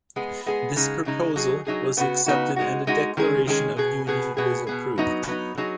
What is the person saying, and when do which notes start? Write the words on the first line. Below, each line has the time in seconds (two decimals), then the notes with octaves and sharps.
This proposal was accepted and a declaration of union was approved.
0.16 G#3 B3 G#4
0.46 G#3 B3 G#4
0.76 C#3 G#3 D#4
1.06 C#3 G#3 D#4
1.36 F#3 D#4 G#4
1.67 F#3 D#4 G#4
1.97 C#3 B3 D#4 F#4
2.26 C#3 B3 D#4 F#4
2.56 G#3 D#4 F#4
2.87 G#3 D#4 F#4
3.17 D#3 G#3 C#4 G#4
3.47 D#3 G#3 C#4 G#4
3.77 B2 B3 G#4
4.07 B2 B3 G#4
4.37 B2 B3 G#4
4.67 B2 B3 G#4
4.98 F#3 B3 D#4
5.27 F#3 B3 D#4
5.58 F#3 D#4 G#4